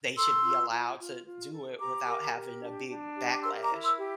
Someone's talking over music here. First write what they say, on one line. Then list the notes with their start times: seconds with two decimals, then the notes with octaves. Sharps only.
they should be allowed to do it without having a big backlash.
0.16 A4 C6 E6
0.43 F4
0.71 F4
0.98 F4
1.25 F4
1.52 A4
1.79 G4 A#5 D6
2.07 A#4
2.34 G4
2.61 D4
2.88 D4
3.16 G4
3.31 D6
3.43 A#4 C6 E6
3.63 A#5 D6
3.70 E4
3.84 C6 E6
3.97 G4